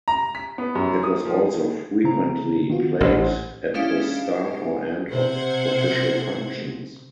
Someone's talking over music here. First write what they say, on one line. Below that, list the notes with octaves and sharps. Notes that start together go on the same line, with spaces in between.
It was also frequently played at the start or end of official functions.
A#5
B6
B3
F#2
D#6
F3
C#3 C4 A#5
D#3 B3 F4 F#4
A1 G4 C5 F#5
G#3 C#4 D4 E4 G4 F5
C3 C5 F#5 G#6